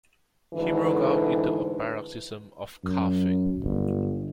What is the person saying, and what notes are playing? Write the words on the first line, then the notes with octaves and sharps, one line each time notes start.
He broke out into a paroxysm of coughing.
D2 G#2 D3 E3
F#2
G1